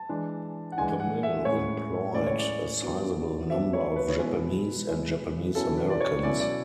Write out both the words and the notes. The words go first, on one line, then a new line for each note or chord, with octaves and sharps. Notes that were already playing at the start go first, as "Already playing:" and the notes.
The mill employed a sizeable number of Japanese and Japanese Americans.
Already playing: A5
E3 G#3 D4
F#5
E3 G#3 D4 G#5
F#5
E5
A2 G#3 C#4 E4 C#5
A2 G#3 C#4 E4 D5
C#5
D5
F#3 B3 D4
F#3 B3 D4 E5
C#5
B4
C#5
B2 G#3 B3 E4 B4
B2 G#3 B3 E4
B2 F#3 C#4 E4 A4
B4
D5
C#5
B2 F#3 C#4 E4 D5
D5